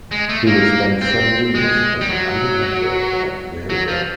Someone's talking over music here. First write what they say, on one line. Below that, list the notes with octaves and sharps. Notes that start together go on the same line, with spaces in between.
He would spend seven years as an undergraduate at Maryville.
G#3
A3
A#3
C4
G#3
G3
F#3
F#3
F3